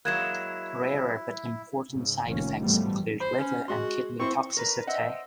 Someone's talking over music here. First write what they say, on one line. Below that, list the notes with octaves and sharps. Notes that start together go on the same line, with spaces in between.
Rarer but important side effects include liver and kidney toxicity.
F#3 G#3 A#3 E4 F#6 G#6 E7
G#2 C#3
F1 D#3 A#3 C#4
G#2 B2 E3 F3 G3 A3
C5 B5
C#4
G#3 F#4 C6
C4 E4 C5 C#6
A#4 B4
C5 D#5 E5 F#5